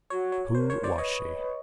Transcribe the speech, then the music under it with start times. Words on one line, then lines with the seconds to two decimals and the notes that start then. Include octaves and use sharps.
Who was she?
0.10 F#4 C#5
0.32 C#5
0.55 A#4 C5
0.70 C#5
0.83 C5 D5
0.98 B4 C#5 D#5